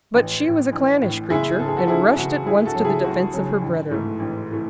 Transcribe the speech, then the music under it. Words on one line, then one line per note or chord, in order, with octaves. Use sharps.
But she was a clannish creature, and rushed at once to the defence of her brother.
A1
A2 E3
A1
A2 E3
F#1 E4 G#4
E2 C#3 A4
G#4
F#4 A4
F#1 E4 G#4
E2 C#3 F#4
C#2 E4 G#4
F#4 A4
C#3 F#3
E4 G#4
C#2 F#4
C#3 F#3
A1
G#2 E3 A3
A1
E3 A3